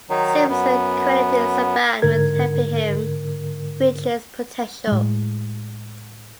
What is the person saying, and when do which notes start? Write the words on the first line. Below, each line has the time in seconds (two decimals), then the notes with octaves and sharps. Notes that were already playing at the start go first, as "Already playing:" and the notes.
Simpson credited Saban with helping him reach his potential.
0.10 D#3 F#3 D#4
0.49 F#2 B3
2.02 G#2 D3 A#4 G#6
4.87 A2 G#3